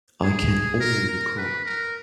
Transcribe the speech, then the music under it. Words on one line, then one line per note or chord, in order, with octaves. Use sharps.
I can only record.
G#4
A#4
A#4
B4
A#4